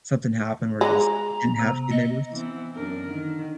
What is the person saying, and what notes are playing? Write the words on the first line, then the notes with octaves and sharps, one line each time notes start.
something happen where you just didn't have good neighbors?
G#3 G#4 A#5 D6 F#6
C3 B3
A#3 D#5
E3 B3 C4
F#2 D4 A#4
D3 D#3